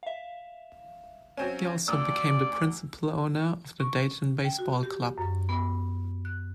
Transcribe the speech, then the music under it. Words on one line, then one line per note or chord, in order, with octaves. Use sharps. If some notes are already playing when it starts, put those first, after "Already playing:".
He also became the principal owner of the Dayton baseball club.
E5 F5
F#3 C4 C#4
D2 D5 E6
C#6
G5
F#4
G4
F#2
B3
F#6